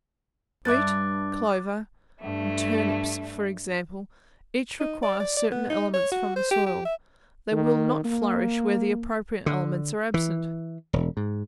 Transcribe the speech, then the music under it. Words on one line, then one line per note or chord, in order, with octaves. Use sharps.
Wheat, clover, turnips, for example, each require certain elements from the soil; they will not flourish where the appropriate elements are absent.
G2 E5 D6 F#6 A6
G2 A3
D#4
D5
D5
D5
B3
D#4
C#5
F#4
C5
G4
G4
E5
D#3
A#3
D3
E3
E1
G#2